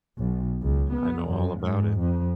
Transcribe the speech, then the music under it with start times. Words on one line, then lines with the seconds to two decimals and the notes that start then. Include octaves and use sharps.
I know all about it.
0.18 B1
0.63 C#2
0.95 B3
1.29 F#2
1.61 G#2
2.01 F2